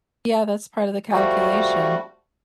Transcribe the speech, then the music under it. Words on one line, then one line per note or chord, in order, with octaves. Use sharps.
yeah, that's part of the calculation,
F3 G3 A3 F#4